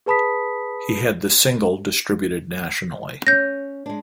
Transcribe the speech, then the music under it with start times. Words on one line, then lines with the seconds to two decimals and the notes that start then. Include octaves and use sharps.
He had the single distributed nationally.
0.06 G#4 B4 A5 B5 D#6 B6
3.27 C#4 G6 A#6
3.86 G#3 D4